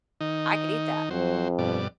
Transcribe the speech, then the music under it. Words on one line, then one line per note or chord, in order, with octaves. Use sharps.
"I could eat that."
D#3 D#4
F2 F#3 C5
G2 B2 D5